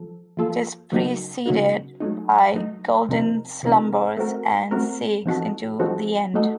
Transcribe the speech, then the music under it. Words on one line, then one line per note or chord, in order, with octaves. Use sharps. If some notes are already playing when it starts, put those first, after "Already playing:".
It is preceded by "Golden Slumbers", and segues into "The End".
Already playing: F3 A4
F3 A#3 F4 A4
C#3 F#3 A#3 D#4 F#4
C#3 F#3 A#3 D#4 F#4
F#3 A3 D#4
F#3 A3 D#4
C3 F3 C4 D#4 A#4
C3 F3 C4 D#4 A#4
A3 C4 F#4 A#4
A3 C4 F#4 A#4
F3 C4 D#4 F#4 A4
F3 C4 D#4 F#4 A4
A3 D#4 F#4 A4